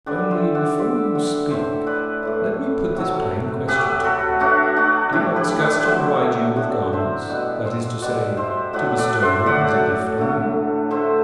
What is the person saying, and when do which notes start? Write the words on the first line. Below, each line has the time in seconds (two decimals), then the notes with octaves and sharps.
"Only before you speak, let me put this plain question to you: Do you ask us to provide you with garments--that is to say, to bestow them as a gift on you?"
0.06 D3 G3 B4 D5
0.31 C5 E5
0.55 D5 F#5
0.78 D3 G3 C5 E5
1.15 D5 F#5
1.50 A2 E3 A3 C5 E5
1.87 B4 D5
2.23 A2 E3 A3
2.95 C3 F#3 A3
3.68 C3 F#3 A3 G4 B4
4.04 F#4 A4
4.40 A2 E3 A3 D4 F#4
4.76 D4 F#4
5.12 A2 E3 A3 E4 G4
5.36 G4 B4
5.60 B4 D5
5.84 A2 F#3 A3 C5 E5
6.56 A2 F#3 A3 D5 F#5
6.93 C5 E5
7.29 B2 G3 B4 D5
7.65 C5 E5
8.01 B2 G3 D5 F#5
8.37 C5 E5
8.73 A2 F#3 A3 B4 D5
8.98 B4 D5
9.22 C5 E5
9.46 A2 F#3 A3 D5 F#5
10.18 D3 A3
10.91 D3 A3 C5 E5